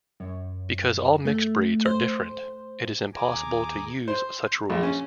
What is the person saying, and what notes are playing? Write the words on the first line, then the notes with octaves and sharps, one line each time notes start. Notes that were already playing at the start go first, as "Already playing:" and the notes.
Because all mixed breeds are different, it is impossible to use such rules.
F#2
A3
C5
D#2 G#4 G#5 A#5 D6
C5
A#1
C#4